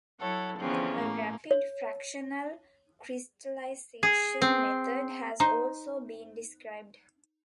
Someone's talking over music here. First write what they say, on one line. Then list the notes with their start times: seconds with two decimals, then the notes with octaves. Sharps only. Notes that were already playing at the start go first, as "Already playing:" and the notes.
A rapid fractional crystallization method has also been described.
0.21 F#3 E4 A4 C#5 F#5
0.59 E2 D3 F3 C4 C#4
0.98 A2 A3 A#3
1.51 C#5
4.03 G#4
4.42 C4
5.40 D#4 C5